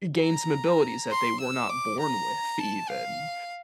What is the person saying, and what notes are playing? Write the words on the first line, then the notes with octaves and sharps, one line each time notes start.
gain some abilities that they were not born with even.
A#5
C6
E6
D6
A#5
A5
F5